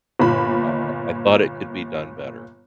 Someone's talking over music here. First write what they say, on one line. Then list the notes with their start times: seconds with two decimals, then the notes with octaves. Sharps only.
Uh, I thought it could be done better.
0.19 G1 A#2 B5